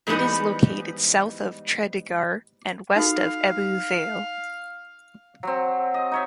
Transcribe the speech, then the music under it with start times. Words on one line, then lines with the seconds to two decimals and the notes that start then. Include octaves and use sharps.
It is located south of Tredegar and west of Ebbw Vale.
0.07 G#2 E3 G3 B3 D#4
2.96 D#4 F#4 A4 F5
5.43 F#3 C4
5.94 D#5
6.12 D#4 C#5 E5